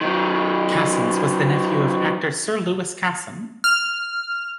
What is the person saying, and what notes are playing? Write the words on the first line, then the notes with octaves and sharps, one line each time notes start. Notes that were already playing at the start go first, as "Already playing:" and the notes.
Casson's was the nephew of actor, Sir Lewis Casson.
D#3 F#3
F6